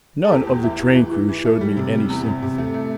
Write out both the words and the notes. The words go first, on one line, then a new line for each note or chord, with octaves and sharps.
None of the train-crew showed me any sympathy.
A4
E2 G4
E2
E3 E4
E3
E3
E3
E3
A3
G3
C3
G3
E2
C3
C3
A3
A3